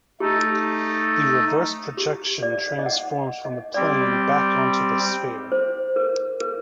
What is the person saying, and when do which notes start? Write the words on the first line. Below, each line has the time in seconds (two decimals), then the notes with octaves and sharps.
The reverse projection transforms from the plane back onto the sphere.
0.20 A3 D#4 G4 A4
1.97 G4
2.43 D5
2.79 D#5
2.86 F#5
3.45 D#5
3.74 G3 C4 G4 D5
5.52 C5
5.96 A#4
6.41 A#4